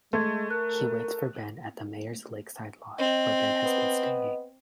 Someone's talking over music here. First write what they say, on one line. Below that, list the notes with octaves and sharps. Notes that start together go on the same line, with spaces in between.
He waits for Ben at the mayor's lakeside lodge, where Ben has been staying.
G#3 A3 C6 G#6
A#4 F#6
C4 D#5
B3